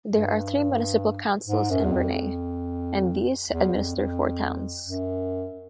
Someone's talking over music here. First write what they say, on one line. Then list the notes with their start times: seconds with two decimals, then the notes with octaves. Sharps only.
There are three municipal councils in Brunei, and these administer four towns.
0.12 G2
1.47 G#2
1.70 F#2
1.85 E2
1.92 F2
3.50 E2
3.74 F2
3.96 F2
4.86 F#2